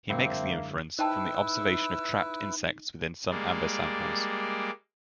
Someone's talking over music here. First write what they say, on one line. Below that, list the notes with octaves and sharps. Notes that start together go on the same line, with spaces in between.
He makes the inference from the observation of trapped insects within some amber samples.
F#2 D3 G#3 A#3 C4 E4 E5
D#4 E4 B4 C5 G5 A5 E6
G3 G#3 A#3 D5